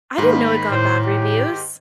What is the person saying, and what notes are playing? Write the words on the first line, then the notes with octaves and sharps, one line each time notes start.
I didn't know it got bad reviews.
G#2 D#3 A#3 B5
A2 C5
G4